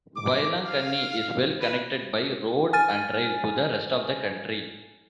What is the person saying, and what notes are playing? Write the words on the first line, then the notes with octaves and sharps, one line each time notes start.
Vailankanni is well connected by road and rail to the rest of the country.
D6
F5
B4
G#5 F6 A6 D#7